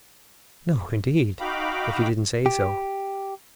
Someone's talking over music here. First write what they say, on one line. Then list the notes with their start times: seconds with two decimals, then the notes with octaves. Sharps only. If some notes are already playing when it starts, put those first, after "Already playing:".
"No, indeed, if you didn't say so."
1.40 D#4 F#4 F5 G5 B5 D6
2.46 G4